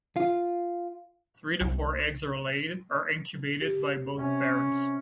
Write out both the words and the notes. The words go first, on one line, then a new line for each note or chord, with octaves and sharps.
Three to four eggs are laid are incubated by both parents.
F4
C2
G4
C3 C#4